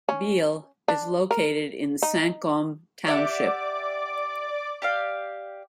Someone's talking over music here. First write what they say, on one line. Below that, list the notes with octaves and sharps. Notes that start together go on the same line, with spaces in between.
Biehle is located in Cinque Hommes township.
C#4
D4
A#4
D#4
G4 D5 E5 F#5 D6
G4 D5 F5